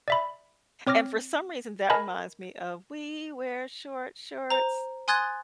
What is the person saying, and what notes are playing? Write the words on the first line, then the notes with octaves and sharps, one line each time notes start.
And for some reason, that reminds me of: We wear short shorts.
D5 E5 B5
C4 C#5 D6 F6 A#6
A#4 D#5 G#5 A5 B5
C5 A#5
G#5 C6 D#6 F#6 G#6 A6